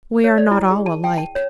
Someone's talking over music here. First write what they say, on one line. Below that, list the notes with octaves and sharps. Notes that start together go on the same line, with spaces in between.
We are not all alike.
C#5
D5
E4
G#4
A5
G5
A5
C#5